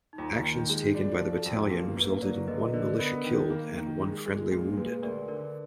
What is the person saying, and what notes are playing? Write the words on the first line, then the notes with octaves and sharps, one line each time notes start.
Actions taken by the battalion resulted in one militia killed and one friendly wounded.
D#4
D#2 F4
D#3
G#3
D4 F#4
F3
F2
A#3 G#4
A#3 B4
F#3 A#4 D5
D3 B4 D#5
D3 A#4 D5
B3 A#4
D#3
A#3
D#3
G#3
G#3
A#2
G#3 B4
D2 A#4 D5
D3 A#4 D5